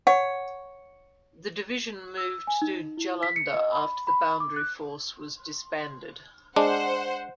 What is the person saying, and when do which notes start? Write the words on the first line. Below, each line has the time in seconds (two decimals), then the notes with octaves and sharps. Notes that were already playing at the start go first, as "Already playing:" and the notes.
The Division moved to Jullunder after the Boundary Force was disbanded.
0.07 C#5 F#5
2.17 E6
2.47 G#5
2.62 D#4
2.97 E4
3.23 B6
3.36 C#7
3.54 D#5
3.72 B5
4.07 B5
4.40 D6
4.56 F#6
6.56 G#3 D4 C5 F#5